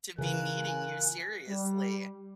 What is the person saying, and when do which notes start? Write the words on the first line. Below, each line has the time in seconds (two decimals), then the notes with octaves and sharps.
to be meeting you seriously.
0.18 C#3 E3 F4 A#4 G#5 F#6
1.48 G3